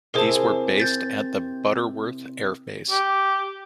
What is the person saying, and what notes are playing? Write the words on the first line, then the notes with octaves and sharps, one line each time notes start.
These were based at the Butterworth Air Base.
C3 E4 G#4 A#4 C5 A5
G6 A6
G4